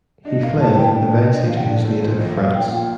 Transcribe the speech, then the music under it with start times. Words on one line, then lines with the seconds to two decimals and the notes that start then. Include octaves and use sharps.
He fled, eventually to his native France.
0.25 D4 D#5
0.42 A#3 F5
0.59 A2 A5
0.77 A#3 G5
0.95 D4
1.13 A#2 D#5
1.31 D4 D#5
1.39 C5
1.48 F3 F5
1.57 G5
1.65 D4 D5
1.84 A3 C5
2.01 A#2 C5
2.18 A#1 D#5
2.37 A#2 F5
2.54 A#2 G5
2.72 A#2 F5